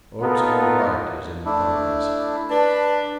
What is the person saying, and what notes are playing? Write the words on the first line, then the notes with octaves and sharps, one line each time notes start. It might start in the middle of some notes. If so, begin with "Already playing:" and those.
Oates' whole heart is in the ponies.
B3 D#4 F4 A4 A#4
A3 D4 E4
D4 B4 A5